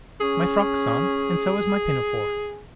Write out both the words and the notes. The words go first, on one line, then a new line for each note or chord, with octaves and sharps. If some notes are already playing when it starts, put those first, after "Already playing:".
"My frock's on, and so is my pinafore."
C#4 G#4